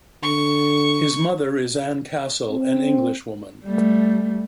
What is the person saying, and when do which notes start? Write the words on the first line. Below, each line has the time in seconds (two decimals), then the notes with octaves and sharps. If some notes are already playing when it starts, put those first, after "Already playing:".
His mother is Anne Castle, an English woman.
0.23 D3 C#6
2.49 C4
3.65 G3 A3